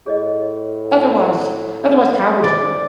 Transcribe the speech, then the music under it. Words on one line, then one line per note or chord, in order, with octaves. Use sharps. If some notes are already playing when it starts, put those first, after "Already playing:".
otherwise otherwise, how would you
A2 G#4 C#5 D#5
F2 D5 A5